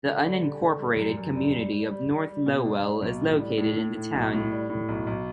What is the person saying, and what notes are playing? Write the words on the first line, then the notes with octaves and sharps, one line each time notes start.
The unincorporated community of North Lowell is located in the town.
D3
G3
D3
D3
G3
F#2
F#2
G3
G3
G3
G3
G3
G3
B2
D4
G3
B1
A2
G3
A2
A2
A2
B1
A2
G3
A2
B1
B1